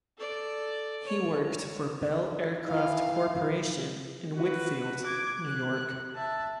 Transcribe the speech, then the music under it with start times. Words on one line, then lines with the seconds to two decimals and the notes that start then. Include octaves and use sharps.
He worked for Bell Aircraft Corporation in Wheatfield, New York.
0.18 A4 D5
1.05 C#5
2.68 E3 E4 F5
4.35 F#4 B4
5.05 D6 G#6
5.44 F#6
6.16 E5 A5